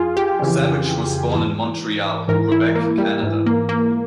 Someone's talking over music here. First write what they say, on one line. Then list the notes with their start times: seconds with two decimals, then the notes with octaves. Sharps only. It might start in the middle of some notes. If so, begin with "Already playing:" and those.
Savage was born in Montreal, Quebec, Canada.
Already playing: F2 F4 G#4
0.17 G4
0.39 F2 C#3 E3
1.34 G#2 E3
2.28 G#2 E3 A#4
2.52 E4
2.75 A#3
2.98 G3
3.23 G#2 E3
3.46 A#3
3.69 A#3